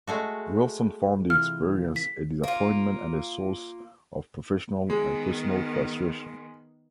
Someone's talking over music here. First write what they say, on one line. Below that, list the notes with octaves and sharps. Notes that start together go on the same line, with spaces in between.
Wilson found the experience a disappointment and a source of professional and personal frustration.
G#3 A3 F#4
C3 E3 F4 F6
B6
A#3 F4
D#3 G#3 B3